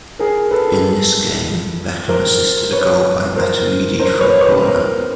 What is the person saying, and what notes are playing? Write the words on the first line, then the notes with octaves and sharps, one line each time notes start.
In this game, Beckham assisted a goal by Matuidi from a corner.
G#4 A#4
A4 B4
A#4 C5
B4 C#5
A#4 C5
A#4 C5
B4 C#5
B4 C#5
A#4 C5